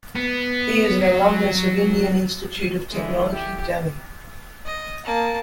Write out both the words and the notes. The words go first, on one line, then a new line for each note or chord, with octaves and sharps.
He is an alumnus of Indian Institute of Technology, Delhi.
B3
F#3
D3 E3 G#3
G4
D#5
A#3 A5